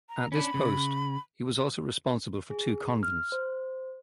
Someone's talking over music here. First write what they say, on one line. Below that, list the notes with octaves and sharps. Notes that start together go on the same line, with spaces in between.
At this post he was also responsible for two convents.
A#5
C#4 D4 B5
C#3
G#4
F6
C5